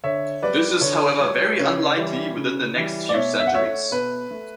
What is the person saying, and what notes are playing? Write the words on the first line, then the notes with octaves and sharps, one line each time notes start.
This is, however, very unlikely within the next few centuries.
D3 C#5 E5
G3 B4 D5
D3 C#5
G3 C#5
C#3 C#5
E3 G3
C#3
E3 G3
D5
B2 C#5 E5
E5
F#5
A3 C#5 E5
C#5
B2 B4
A3